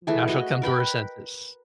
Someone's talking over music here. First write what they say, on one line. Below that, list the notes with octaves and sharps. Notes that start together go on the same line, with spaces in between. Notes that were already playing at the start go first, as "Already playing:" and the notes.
Now she'll come to her senses,
E3 A3 G#4
F#4 D#5
A#4 B4 G5 B5